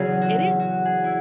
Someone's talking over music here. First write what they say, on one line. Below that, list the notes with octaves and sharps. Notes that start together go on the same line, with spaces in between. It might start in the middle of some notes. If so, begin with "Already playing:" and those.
it is.
Already playing: E2 C#3 F#3 G#4
F#4
F#4
G#4
E4